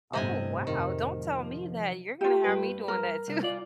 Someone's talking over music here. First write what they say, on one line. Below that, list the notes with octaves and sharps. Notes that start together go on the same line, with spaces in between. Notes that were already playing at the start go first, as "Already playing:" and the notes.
Oh, wow, don't tell me that, you're gonna have me doing that too.
G1 A2 C3 D#5 G#5
F1 D#3
F3
F4 G4
G2 B4
A#4
C2
F4 D5